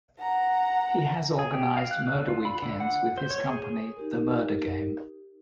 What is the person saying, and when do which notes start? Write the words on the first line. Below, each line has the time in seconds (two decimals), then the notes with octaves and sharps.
He has organised 'murder weekends' with his company 'The Murder Game'.
0.19 F#5 A#5
1.39 G#4
1.54 G4
1.77 F5
1.91 F#6
2.15 D3
2.28 F4
2.45 B5
2.62 D3
2.80 F#5
3.18 C5
3.31 C#5
3.49 G#4
3.97 D#4 G4 A#4